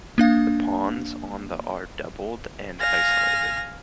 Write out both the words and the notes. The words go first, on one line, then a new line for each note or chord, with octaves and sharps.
The pawns on the are doubled and isolated.
A#3 D4 F5
F5 G#5 A#6